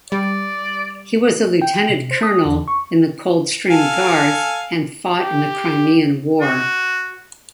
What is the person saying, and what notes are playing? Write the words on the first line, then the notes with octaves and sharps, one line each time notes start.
He was a Lieutenant-Colonel in the Coldstream Guards and fought in the Crimean War.
G3 D5
G5
C3
C5
D#6
E2
C#6
A4 F5 G#5
G4
F#4